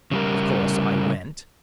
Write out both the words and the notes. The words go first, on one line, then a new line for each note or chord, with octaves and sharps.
Of course I went.
C#3 G3 A#4